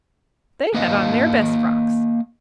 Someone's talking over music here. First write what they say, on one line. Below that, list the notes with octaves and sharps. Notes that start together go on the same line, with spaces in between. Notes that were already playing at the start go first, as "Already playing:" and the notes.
They had on their best frocks.
A#3 B4 D#5 F5